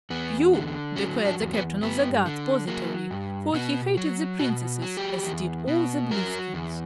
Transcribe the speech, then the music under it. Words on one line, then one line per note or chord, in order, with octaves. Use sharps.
"You!" declared the Captain of the Guards, positively, for he hated the Princesses, as did all the Blueskins.
E2 B3
D3
F#3 C#4
D4
E2
B3
G2 B3
D3
F#3 A#3
G2
B2 B3
F#3
B2 F#4
F#3
G4
E2
B2
F#3 A#4
E2